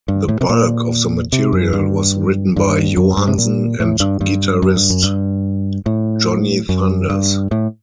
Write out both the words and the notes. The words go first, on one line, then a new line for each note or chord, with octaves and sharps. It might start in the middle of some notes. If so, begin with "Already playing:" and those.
The bulk of the material was written by Johansen and guitarist Johnny Thunders.
G2
A2
C3
A#2
C3
F#2
G2
G2
F#2
G2
C3
A#2
A2
G2
G2
F#2
G2
F#2
G2
A2
F#2
G2
A2